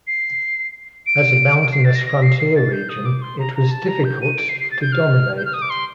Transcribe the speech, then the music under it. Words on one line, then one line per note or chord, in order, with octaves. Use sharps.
As a mountainous frontier region, it was difficult to dominate.
C7
D7
C7
A6
A#6
A#6
C7
C7
A6
G6
D#6
D6
C6
A#5
A#5
A5
A#5
G6
D#7
D7
C7
C7
A6
G6
F6
G6
F6
D#6
D6
C6